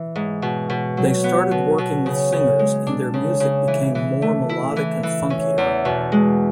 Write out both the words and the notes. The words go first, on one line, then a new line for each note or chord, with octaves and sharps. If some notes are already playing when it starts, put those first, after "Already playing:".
They started working with singers and their music became more melodic and funkier.
Already playing: E3
G#2
B2
B2
F#3
B3
B2
B2
C#3
C#3
G#3
D4
C#3
C#3
E3
E3
A3
E4
E3
E3
C#4
E2
B2
G#3